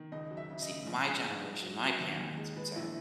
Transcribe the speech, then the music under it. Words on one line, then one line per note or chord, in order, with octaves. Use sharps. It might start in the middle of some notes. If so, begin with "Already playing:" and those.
see, my generation, my parents would say,
Already playing: D#3
C#2 D#5
F#3
E5
C#3
D#5
C#3
A#1
G#3
G#2
G#3
F#3
F#3
D#2
D#2
G#3
G#3 B4
A#1 E4